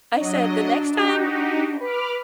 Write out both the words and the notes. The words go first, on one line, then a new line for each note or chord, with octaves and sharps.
I said, "The next time
F#3 D4 D#5
D#4 F#4 G4
B4 B5 D6 F6